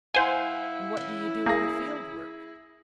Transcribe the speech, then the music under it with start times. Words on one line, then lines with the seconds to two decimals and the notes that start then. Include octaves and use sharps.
"And what do you do in the Field Work?"
0.14 G#2 E4 C5 F5 F#5 G#5
0.97 E3 C#4
1.46 A#3 G#4 A#6